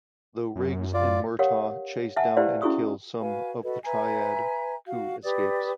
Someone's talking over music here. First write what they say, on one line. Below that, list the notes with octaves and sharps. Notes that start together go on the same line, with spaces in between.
Though Riggs and Murtaugh chase down and kill some of the Triad, Ku escapes.
F#2
F4 D5
G4 A#4 C#5 F5 F#5
E5 F#5 G#5 A5
E4 G4 B4 C5 D5 F5
C#4 E4 F#4 G#4 C#6 D#6
F#4 B4 F5 G#5
F#4 A4 B4 D#5
B4 E5 G#5 A#5
F#4 F5
G4 B4 D5 D#6